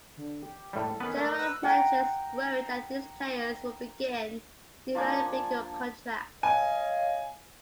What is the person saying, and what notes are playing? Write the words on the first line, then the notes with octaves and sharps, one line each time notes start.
General managers worried that these players would begin demanding bigger contracts.
D3
G4
A2 G3 A4
D#3 B3 C#4 B4
A3 A#4 D5
B4 F#5 E6 F#6
F#5 G5 A#5
F3 A#3 D4 G#5
C#5 D#5 F5 G#5